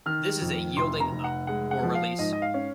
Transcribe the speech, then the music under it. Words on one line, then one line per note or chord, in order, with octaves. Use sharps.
This is a yielding up, or release.
D#3 F6
F2
F1 C6
A#5
F1
F#5
G#3 F#5
F#5
F3
F5
G#2 D#5
D#5
F5
C#4